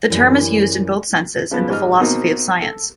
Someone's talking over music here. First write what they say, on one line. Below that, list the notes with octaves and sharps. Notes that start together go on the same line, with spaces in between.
The term is used in both senses in the philosophy of science.
F#2 E3 G3
C#3 F3 B3
G#2 G3 D#5 F6
B2 A#3 C4 D#4 F#4
A4